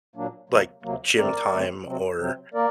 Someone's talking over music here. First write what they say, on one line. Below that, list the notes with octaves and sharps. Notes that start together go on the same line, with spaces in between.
like, gym time or
A#2 F#3 A#3 D4
D2 C3 F#3 A#3
D2 C3 F#3 A#3
F#2 D3 A3 C4 A#4 D5
F#2 D3 A3 C4
C3 F#3 C4
C3 F#3 C4
A#3 A#4 D5